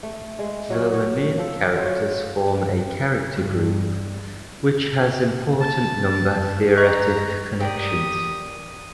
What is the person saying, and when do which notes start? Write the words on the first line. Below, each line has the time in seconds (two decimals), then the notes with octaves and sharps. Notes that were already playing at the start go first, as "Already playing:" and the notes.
The linear characters form a character group, which has important number theoretic connections.
0.03 A3
0.39 G#3
0.70 F#3 C#5 F#5
0.92 F#4 C#5
1.38 F3 A4
1.76 F#3 F4 C#5
3.37 G2
5.60 A5
6.77 D#5 A#5 C#6
7.60 G4 A#4 D5 D#6